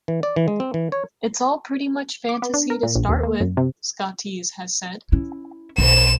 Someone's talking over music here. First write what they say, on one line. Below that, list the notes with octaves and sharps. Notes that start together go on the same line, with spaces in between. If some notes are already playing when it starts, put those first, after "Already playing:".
"It's all pretty much fantasy to start with", Scotese has said.
E3
D5
E3
G#3
C4
E3
C#5
D6
B3
D4
A#4
A#2
A#1
D#2
A#3
F#2
C3
C#4 E4
B1 E7